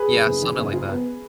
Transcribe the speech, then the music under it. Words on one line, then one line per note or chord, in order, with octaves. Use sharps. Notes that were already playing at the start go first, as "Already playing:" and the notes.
Yeah, something like that.
Already playing: G#4 B4
F#1
F#1
D#3
F#1
F4
B3